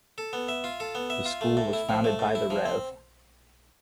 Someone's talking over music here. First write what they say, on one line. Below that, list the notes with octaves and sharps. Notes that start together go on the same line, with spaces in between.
The school was founded by the Rev.
A4
B3
E5
F4
A4
B3
E5
F4
A3
A2
E4
F3
A3
A2
E4
F3
C4